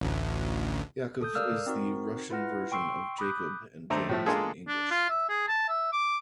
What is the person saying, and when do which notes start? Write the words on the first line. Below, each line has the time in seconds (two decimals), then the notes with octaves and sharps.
Yakov is the Russian version of Jacob and James in English.
0.01 A1 D2
1.21 A4 D#6 G6
1.35 A#4 D5 F5 E6 F6
1.66 C4 D#4 F#4 A#4
2.30 E4 F4 B4 F#5 F6 A#6
2.72 G5 C6 C#6 E6 C7
3.18 B5 D6 D#6 F#6 G6
3.90 D#2 A3 D4 C5 A#5
4.09 A2 F3 A3
4.26 G#3 A#3 D4 F4 G#4 A4
4.68 D4
4.91 F4
5.09 E5
5.29 G#4
5.48 A5
5.69 E5
5.92 D6